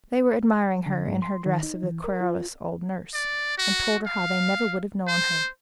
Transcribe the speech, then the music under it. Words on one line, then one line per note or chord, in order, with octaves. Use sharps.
They were admiring her, in her dress of the querulous old nurse, and told her how they never would have known her.
D3
G#2
C6
D#3
D#4
E3
A#4
F4
D5
F#4
F5
C5